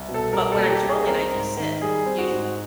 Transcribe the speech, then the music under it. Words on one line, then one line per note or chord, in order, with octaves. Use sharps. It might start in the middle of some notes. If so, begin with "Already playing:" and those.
But when I'm scrolling, I just sit, usually.
Already playing: C2
B2
A4
G3 A#4
A4
A#3
G4
C2
G#4
C4 A#4
G#2
D#3
G3 G#4
C4
F#4
G#2